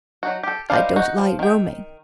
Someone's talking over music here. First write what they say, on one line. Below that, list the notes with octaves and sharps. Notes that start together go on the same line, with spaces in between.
"I don't like roaming."
F#3 D#4 F#4
G4 A4
G3 D4 D#4 C5 F5
D#4 F#4
F3
D#3 G5